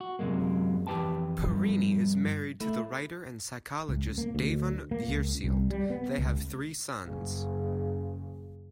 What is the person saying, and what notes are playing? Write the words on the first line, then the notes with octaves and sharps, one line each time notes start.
Parini is married to the writer and psychologist Devon Jersild; they have three sons.
F#4
F#2 C3 F#3 G#3 A#3
F2 E3 G4 B4 G5 A5
G2 F3
A3 E4
C#2
A#3
D2
A#3
C#2
C2
G3
B3
C#2
F#1 C#3